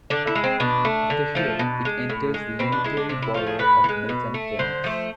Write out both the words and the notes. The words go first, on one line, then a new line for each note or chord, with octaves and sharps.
After here it enters the Unitary borough of Milton Keynes.
D3 D4
E4
G#3
C4
B2 D4
A3
D3
F3 A3
B2
G#3
A2
G#3
B2 C4
D4
G#3 E4
D4
C3 D4
E4
F3 A3 F4
G#4
A2 B4
E3
G#3
B2
A3
D3 C5
F3 A3